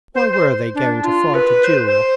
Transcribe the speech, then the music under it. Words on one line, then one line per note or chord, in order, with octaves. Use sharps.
Why were they going to fight a duel?
C5
C5
D4
F4
B4
C5
C5